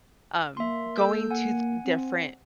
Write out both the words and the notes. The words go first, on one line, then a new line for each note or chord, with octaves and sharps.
um, going to th different
A#3 E5 C6
A4 E6 G6
F#5 G#5
C4